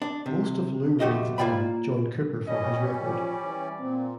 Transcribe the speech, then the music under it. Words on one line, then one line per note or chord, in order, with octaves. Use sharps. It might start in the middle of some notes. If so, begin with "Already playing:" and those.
Most of Lou Reed's band joined Cooper for this record.
D4
C3
B1 F2 A3 F#4 G4 D#5
A#3 F4 D5 G5 B5
G3 C#4 D#5
F3 D5
E3
A#2 C4